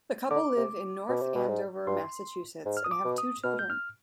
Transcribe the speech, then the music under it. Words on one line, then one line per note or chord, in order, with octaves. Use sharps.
The couple live in North Andover, Massachusetts, and have two children.
D3 D6
C3
B2
C3
B2
G#2
G2 C6
G#2
F6
D#6
D6
B2
D#6
B2 F6
G6
F6